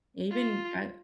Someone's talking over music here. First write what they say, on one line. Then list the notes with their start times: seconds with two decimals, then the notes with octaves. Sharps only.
even I
0.31 F4